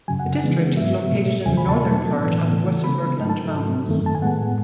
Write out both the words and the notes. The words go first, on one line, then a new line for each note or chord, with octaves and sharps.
The district is located in the northern part of the Weserbergland mountains.
F#2 C#3 F#3 G#5
F#5
C#3 E3 G#3 B3
G#2 F#3 B3 E5
B2 A3
E2 C#3 F#3 G#5
B5
A5
B2 F#3 A3 A5
A2 E3 B3
C#3 E3 A3
C#3 G#3 B3 B5
G#2 F#3 A3 A5
A5
G#2 F#3 A3
F#2 D#3 A3
A5
G#5
A2 G#3 B3 F#5